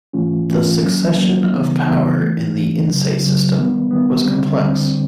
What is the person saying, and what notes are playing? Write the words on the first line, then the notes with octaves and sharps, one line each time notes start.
The succession of power in the "Insei" system was complex.
G#2 E3 A3 C#4 F4
G#2 E3 A3 C#4 F4
D#3 F#3 A#3 C#4
D#3 F#3 A#3 C#4
C#3 E3 G3 B3 D#4
C#3 E3 G3 B3 D#4
G2 E3 A3
G2 E3 A3
C#2 C#3 F#3
C#2 C#3 F#3
D#3 G3 B3
D#3 G3 B3
D2 D3 G3 C4
D2 D3 G3 C4